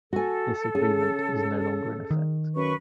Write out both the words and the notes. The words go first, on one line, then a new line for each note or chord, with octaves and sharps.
This agreement is no longer in effect.
F#4 A4 G#5
C#3 G#4
D#3
F#2 B4 C#6